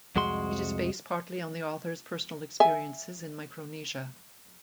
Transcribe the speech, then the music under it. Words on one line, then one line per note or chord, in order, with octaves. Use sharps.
It is based partly on the author's personal experiences in Micronesia.
C2 F2 G#3 F#4 C6
E5 G#5